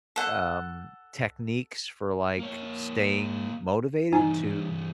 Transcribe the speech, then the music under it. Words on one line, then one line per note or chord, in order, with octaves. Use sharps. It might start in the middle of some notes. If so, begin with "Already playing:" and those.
um, techniques for, like, staying motivated to
A4 F#5
A#3 C#5
G2 E3 D#4 G#5